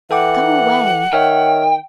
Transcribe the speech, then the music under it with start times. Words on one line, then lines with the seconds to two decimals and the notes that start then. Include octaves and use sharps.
Go away!
0.11 E3 A4 F#5 G5 D6
1.13 D#3 C#5 E5 G5 F6